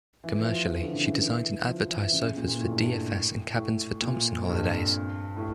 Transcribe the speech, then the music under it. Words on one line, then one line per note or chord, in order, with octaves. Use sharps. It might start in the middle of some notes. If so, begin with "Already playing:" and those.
Commercially, she designed and advertised sofas for dfs and cabins for Thomson Holidays.
E3
F3
F3
E3
D3
C#3
E3
F3
E3
C#3
C#3
A#2
A#2
A2
G2
A2
A2
A#2
F2
G2
A2